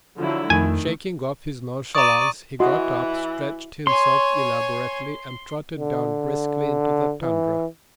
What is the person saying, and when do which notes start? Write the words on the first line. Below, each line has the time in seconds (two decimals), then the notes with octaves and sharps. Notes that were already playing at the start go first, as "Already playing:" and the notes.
Shaking off his nonchalance, he got up, stretched himself elaborately, and trotted down briskly into the tundra.
0.18 D3 F3 F#3 E4
0.50 F2 D#3 A3 G#5
1.95 D5 A#5 C#6 D#6 D#7
2.60 E3 F#4 D#5 C6
3.87 C#5 G#5 C6
5.80 D3
7.22 E3